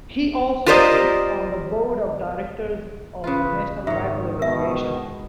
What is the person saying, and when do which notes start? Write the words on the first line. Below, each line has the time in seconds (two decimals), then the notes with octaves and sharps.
He also sits on the Board of Directors of the National Rifle Association.
0.66 F4 G4 A#4 C5 D5 D#5
3.24 C#3 F4 B4
3.87 G#2 D#3 C#5 E5
4.39 B2 A#4 E5